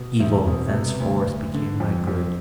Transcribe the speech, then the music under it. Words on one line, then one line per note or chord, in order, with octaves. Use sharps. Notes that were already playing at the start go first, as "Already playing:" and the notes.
Evil thenceforth became my good.
Already playing: B2
E2 E4
B2 C4
A3
C3 B3
D2
D2
D3
F2
F2